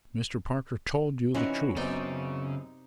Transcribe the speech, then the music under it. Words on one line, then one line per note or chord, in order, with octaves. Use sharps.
Mr. Parker told you the truth.
C3 E3 C#4 D#4 E4 F#4
F#2 C#3 B3 C4 D#4 D5 G5